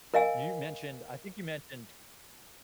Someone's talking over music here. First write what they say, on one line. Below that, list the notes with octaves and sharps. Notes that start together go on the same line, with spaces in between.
You mentioned, I think you mentioned
A#4 D#5 F5 G#5